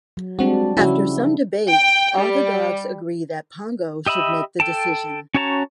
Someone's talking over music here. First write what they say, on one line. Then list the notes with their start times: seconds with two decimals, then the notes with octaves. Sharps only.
After some debate, all the dogs agree that Pongo should make the decision.
0.17 F#3
0.39 G3 G#3 C4 D4 F#4
0.77 C#3 F3 C#4 E4 F#4
1.70 G5
2.17 G3
4.06 G4 D#5 E5 B5
4.60 A4 G5 A5
5.35 C#4 F#4 C#5 A5 A#5